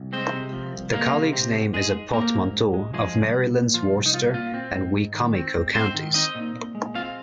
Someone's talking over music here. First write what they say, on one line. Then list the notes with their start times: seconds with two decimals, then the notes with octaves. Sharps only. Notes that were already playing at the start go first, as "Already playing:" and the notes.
The college's name is a portmanteau of Maryland's Worcester and Wicomico counties.
Already playing: C2
0.13 G#3 C4 C5
0.33 C3
0.53 F3
0.73 C2
0.93 G#3 A#3 A#4
1.14 C3
1.33 C4
1.53 G#2
1.73 G#2 G#3 G#4
1.94 G#3
2.13 A#3 C4 A#4
2.33 G#2
2.53 G#2
2.74 G#3
2.93 F3 G#3 G#4
3.14 C2
3.34 C2
3.54 A#2
3.74 F3 F4
3.94 C2
4.06 D#4
4.14 C2 F4
4.34 A#2 F4
4.54 C4
4.74 G#2
4.94 G#2
5.14 D#3
5.34 C4
5.55 G#2
5.74 G#2 C4 C5
5.95 D#3
6.14 C4 D#4 D#5
6.35 A#2
6.55 A#2
6.75 G#3
6.95 C4 F4 F5